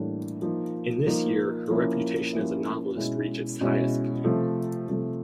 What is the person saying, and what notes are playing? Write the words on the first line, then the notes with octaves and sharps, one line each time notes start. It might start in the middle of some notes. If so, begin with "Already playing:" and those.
In this year her reputation as a novelist reached its highest point.
Already playing: A2 E3 G3 A#3 D4
F3 A#3 D#4
F3 A#3 D#4
F3 A#3 C#4 E4
F3 A#3 C#4 E4
B2 G#3 C#4 E4
B2 G#3 C#4 E4
C3 F3 A3
C3 F3 A3